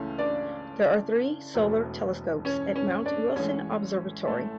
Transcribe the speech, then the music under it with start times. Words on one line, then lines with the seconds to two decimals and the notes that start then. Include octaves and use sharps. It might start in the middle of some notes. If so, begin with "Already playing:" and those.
There are three solar telescopes at Mount Wilson Observatory.
Already playing: C#2 C#3 E3 A3 C#4
0.18 D4 D5
1.54 E1 E2 B2 A3
2.45 C#4 C#5
2.76 C#4 C#5
3.05 D4 D5
3.36 A1 A2 G#3 C#4 C#5
4.27 A3 A4